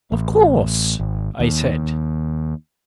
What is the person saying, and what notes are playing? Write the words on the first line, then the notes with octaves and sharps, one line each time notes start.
"Of course," I said.
A1
G#1
D#2